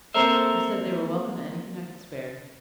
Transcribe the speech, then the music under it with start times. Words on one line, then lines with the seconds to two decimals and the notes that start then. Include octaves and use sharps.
I said they were welcome to anything I could spare.
0.14 A#3 C4 A4 A#4 C5 E5